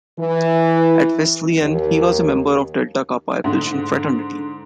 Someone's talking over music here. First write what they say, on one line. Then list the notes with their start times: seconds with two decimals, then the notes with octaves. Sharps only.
At Wesleyan he was a member of Delta Kappa Epsilon fraternity.
0.18 E3
1.60 D#2
3.44 G#2 D3